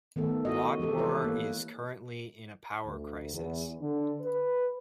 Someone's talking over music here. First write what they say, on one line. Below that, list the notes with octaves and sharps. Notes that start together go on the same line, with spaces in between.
Lodwar is currently in a power crisis.
D#3 A3 B3 A4
E4 F#4 D#5
E3 G#3 G4 A4
E4 G4 A4 B4 C#5
A#3
D2
E2
D3
B4